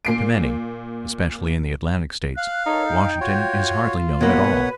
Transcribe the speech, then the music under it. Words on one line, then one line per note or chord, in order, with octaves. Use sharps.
To many, especially in the Atlantic States, Washington is hardly known at all.
A#2 C7 D7
F5 F#6
D#4 A4 A#4 C#5
G5 G6
F4 F#4 C#5
B2 A#3 B4 C#5 F#5